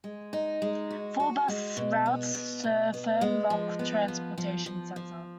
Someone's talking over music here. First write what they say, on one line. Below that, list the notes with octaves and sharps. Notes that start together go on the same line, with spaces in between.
Four bus routes serve Fern Rock Transportation Center.
G#3
D#4
G#3
F#4
F#4
G#3
B2
B3
B2
B2
B3
G#3
F3
B3
F3
F3
F3
F3